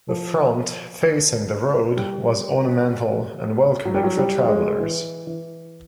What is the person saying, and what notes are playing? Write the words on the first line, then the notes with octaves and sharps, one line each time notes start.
The front, facing the road was ornamental and welcoming for travelers.
F3
G3
F#3
G3
F#3
G3
G3
G#3
E3
E3